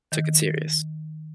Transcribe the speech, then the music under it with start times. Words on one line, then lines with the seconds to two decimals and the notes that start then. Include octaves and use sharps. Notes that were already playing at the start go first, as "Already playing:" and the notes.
Took it serious.
0.12 D#3